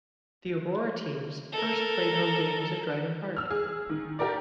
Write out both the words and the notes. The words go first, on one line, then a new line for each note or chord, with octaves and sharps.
The Aurora teams first played home games at Driving Park.
A4 A#4
E6 F6
G#4
D#3
G4 A4 A#4 D5